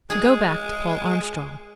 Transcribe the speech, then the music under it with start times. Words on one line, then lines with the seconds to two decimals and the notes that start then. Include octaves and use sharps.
To go back to Paul Armstrong.
0.10 G#3 G#4